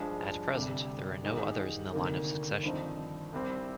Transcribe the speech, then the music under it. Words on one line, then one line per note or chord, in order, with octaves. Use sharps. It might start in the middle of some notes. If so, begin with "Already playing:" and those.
At present, there are no others in the line of succession.
Already playing: G2 F3 G#3
D2 C3 G3
G#2 D#3 G#3 D#4 G4
D2 C3 D#3 A#3
G#1 G2 F3 C4 D#4
C2 C3 G3 C4